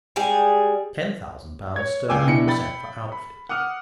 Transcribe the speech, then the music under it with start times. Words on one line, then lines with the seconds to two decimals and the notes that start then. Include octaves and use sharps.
Ten thousand pounds sterling were sent for outfit.
0.16 G3 G#3 G#4
1.76 C#5 G#6
2.09 C#2 G5 G#5 D6 E6
2.27 B2 D4 E4 C#7
2.47 G5 B5 A6
3.12 B5
3.49 F#5 D6 D#6 F6